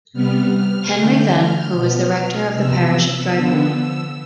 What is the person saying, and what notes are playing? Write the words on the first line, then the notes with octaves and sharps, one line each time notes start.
Henry Venn, who was the rector of the parish of Drypool.
C3 G3 B3 F6
F6
D3 A3 G6
F6
B2 B3
C3 F3 B3 E6
D3 F3 B3